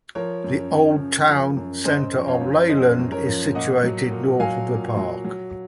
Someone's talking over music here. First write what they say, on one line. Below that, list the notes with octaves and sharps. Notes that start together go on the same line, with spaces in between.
The old town centre of Leyland is situated north of the park.
F3 A#4 C#5
F#2
F#2
C#3
F3
F#2
F#2 C5 D#5
F3
C#5 F5
F#2
F3 C5 D#5
F#2
A#4 C#5
F3
A#2 D#5 F#5
F#3
A#2
F#3 F5 G#5
A#2
F#3
F#3